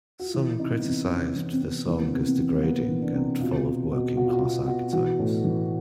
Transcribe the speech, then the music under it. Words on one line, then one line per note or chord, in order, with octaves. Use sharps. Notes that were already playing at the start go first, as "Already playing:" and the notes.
Some criticized the song as degrading and full of working-class archetypes.
F#4
F4
E3 E4
C3 D#4
B3
E3 C4
C3 C#4
E3 C4
C4
C3 B3
E3 B3
A#3
B3
C3
C4
E3
A#3
C3 B3
E3
D4
C3
B2 F4
B2
B2
B2 F#4
F4
F#4
B2 F4
B2 F#4
E3 F#4
A2
E3